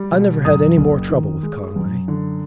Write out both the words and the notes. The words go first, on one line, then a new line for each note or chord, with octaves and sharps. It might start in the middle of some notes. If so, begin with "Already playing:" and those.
I never had any more trouble with Conway.
Already playing: G3
B2
F#2 D#6
F#1
D#3
G#3
F#2
D3